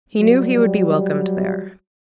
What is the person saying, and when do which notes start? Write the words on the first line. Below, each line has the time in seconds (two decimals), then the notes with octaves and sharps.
He knew he would be welcomed there.
0.19 F#3 G3